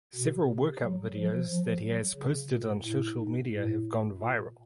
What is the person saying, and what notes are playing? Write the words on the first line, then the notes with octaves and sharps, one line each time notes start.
Several workout videos that he has posted on social media have gone viral.
B2
C3
F#3
F3
F3
F#3
C#3
A#2
A2
G#2
A2
A#2